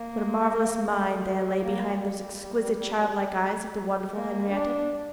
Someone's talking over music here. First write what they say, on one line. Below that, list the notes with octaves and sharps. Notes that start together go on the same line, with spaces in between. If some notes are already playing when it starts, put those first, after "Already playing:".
What a marvellous mind there lay behind those exquisite, childlike eyes of the wonderful Henriette!
Already playing: A#3
A3
G3
A#3
G3
A#3
D4